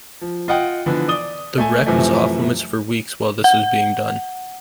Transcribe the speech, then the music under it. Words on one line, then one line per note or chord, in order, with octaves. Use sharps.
The wreck was off limits for weeks while this was being done.
F3
F4 D#5 F#5 G5
D3 E3 F3 B3
D5 D#6 G7
A3 G#5
F#2 C3 E3 F3 A3
F#5